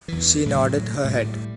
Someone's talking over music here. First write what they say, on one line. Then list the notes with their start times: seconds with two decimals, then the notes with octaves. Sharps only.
She nodded her head.
0.08 E2 E3
0.46 A2 D3 F3 F#3
1.04 A2 G3